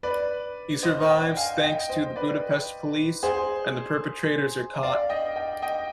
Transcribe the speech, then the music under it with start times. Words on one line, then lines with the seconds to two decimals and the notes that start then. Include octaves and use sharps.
He survives thanks to the Budapest Police and the perpetrators are caught.
0.03 B4 D5
0.83 C5 D#5
1.09 D#5 G5
1.37 F5 G#5
1.63 D#5 G5
1.89 C5 D#5
2.16 B4 D5
3.23 G#4 C5
4.83 D5 F5
5.09 D#5 G5
5.36 D#5 G5
5.62 D#5 G5